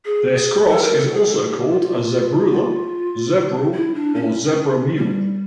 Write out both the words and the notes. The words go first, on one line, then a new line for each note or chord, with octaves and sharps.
This cross is also called a zebrula, zebrule, or zebra mule.
G#4
A4
A#4
A4
G#4
A4
G#4
G4
F4
F4
E4
D4
C#4
G3